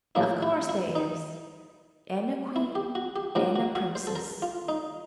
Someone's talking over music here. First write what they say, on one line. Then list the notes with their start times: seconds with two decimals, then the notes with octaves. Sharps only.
"Of course there is, and a queen, and a princess."
0.15 A1 A2 F3 A#3 E4
0.42 E4
0.69 E4
0.95 D#4
2.56 E4
2.75 G4
2.95 F#4
3.16 G4
3.35 G#2 F3 A#3 C#4 F#4
3.56 F#4
3.75 F#4
3.95 C5
4.07 A4
4.16 A#4
4.42 F4
4.69 D#4